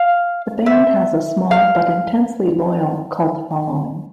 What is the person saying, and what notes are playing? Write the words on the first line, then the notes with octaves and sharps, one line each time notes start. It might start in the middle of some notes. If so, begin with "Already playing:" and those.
The band has a small but intensely loyal cult following.
Already playing: F5
E5
F5